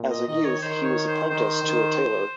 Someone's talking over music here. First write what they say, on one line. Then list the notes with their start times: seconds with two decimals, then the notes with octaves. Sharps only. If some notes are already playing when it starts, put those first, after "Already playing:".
As a youth, he was apprenticed to a tailor.
Already playing: A#2
0.11 D#5
0.28 D#3 D#5
0.44 C#5
0.61 D#3 C5
0.84 C#5
1.07 C5
1.30 D#3 C5
1.63 D#3